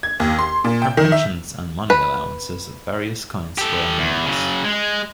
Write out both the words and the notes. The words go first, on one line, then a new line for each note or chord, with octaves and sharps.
Her pensions and money allowances of various kinds were enormous.
G#6
D#2
C6
A#2
G5
D#3
E5
B4
G4 A4
E2
C#3 F#3
G#3